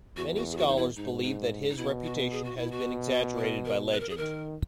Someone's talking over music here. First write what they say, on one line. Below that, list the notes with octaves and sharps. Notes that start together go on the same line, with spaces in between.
Many scholars believe that his reputation has been exaggerated by legend.
E2 F#4
F#4
G#4
F#4
D#4
E4
G#2 D#4
D#4
D#4
B2 E4
F#4
G#4
F#4
B2 E4
F#4
A#4
A#4
B4
A#4
G#4
D#3 A#4